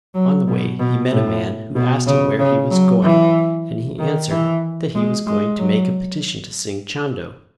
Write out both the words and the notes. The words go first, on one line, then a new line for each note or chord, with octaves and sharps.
On the way he met a man who asked him where he was going and he answered that he was going to make a petition to Singh Chando.
F#3
B2
B2
A2
B2
C#3
C#3
F#3
E3
D#3
E3
G#3
G#3
F#3